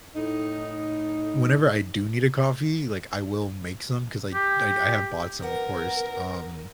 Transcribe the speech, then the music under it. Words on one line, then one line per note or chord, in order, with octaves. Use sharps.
whenever I do need a coffee, like, I will make some 'cause I I I have bought some, of course, um
A2 D#4
G4
F#2 B3 A#4 F#5